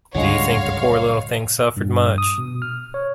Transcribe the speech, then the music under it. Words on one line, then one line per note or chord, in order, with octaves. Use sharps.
Do you think the poor little thing suffered much?
C#2 G2 D3 F#3 G#3 C#5 F5 A#5
G2
D#6
B2
F6
C#5